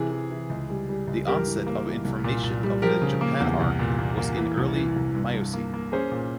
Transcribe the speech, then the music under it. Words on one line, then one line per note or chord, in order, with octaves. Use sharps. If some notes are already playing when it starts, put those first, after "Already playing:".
The onset of formation of the Japan Arc was in Early Miocene.
Already playing: C3 E3 G#4
E3
E3
C#2
G3
G3
C#2
G2 G4 A#4
E3
A#3
E3
C2
A#2
A#2
G3
F3 G4 A#4
C#3
A#3
E2
C2
A#2
A#3
A#3
E3
C2
E3
C2
G2
G2
A#3
A#3
C#4 G#4 C5
A#2